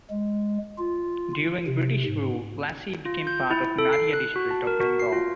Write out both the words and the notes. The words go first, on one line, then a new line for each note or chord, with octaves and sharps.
During British rule Plassey became part of Nadia District of Bengal.
G#3
F4
C3
G#2
F4
G6
E4
A4
C7
F#6
F#4
A5
A#4
F#4
C7
F4